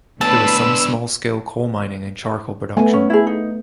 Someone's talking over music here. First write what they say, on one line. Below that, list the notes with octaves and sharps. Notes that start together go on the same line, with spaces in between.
There was some small scale coal mining and charcoal production.
A2 B3 D4 B4 A5 C6 E6
A3 B3 G#5
C#4
E4 G#4
D#4